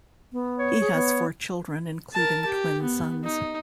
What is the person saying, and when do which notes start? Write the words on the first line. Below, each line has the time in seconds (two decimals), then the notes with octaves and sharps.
He has four children including twin sons.
0.32 B3
0.59 C#5
0.80 G#4
0.93 B3
2.13 A#4 A5
2.46 G4
2.82 B3
3.25 D#4